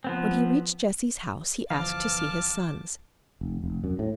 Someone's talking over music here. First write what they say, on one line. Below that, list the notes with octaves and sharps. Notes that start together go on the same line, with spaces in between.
When he reached Jesse's house, he asked to see his sons.
F3 B3 C4
G1 E3 F3 F5 A5 D6 F6
F1
F1
F#2
A2